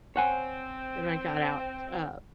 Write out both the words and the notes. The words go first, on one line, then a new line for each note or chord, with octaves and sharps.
Then I got out, uh,
C4 C#5 F#5 G#5